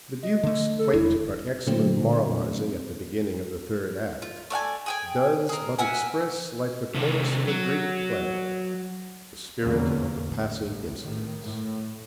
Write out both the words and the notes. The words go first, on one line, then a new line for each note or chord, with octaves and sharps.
The Duke's quaint but excellent moralising at the beginning of the third act does but express, like the chorus of a Greek play, the spirit of the passing incidents.
D#5
D3 A3
A4
E1 E4
A#2 D3 F#3 A3 C4
F4
A3 D5 F#5 G#5
G#4 G5 G#5
G#4 A#4
A#4 E5 F#5 G#5
C3 D#3
F#3
F1 E2 D3 E3 A#3 C#4
A1
A2 D#3
A2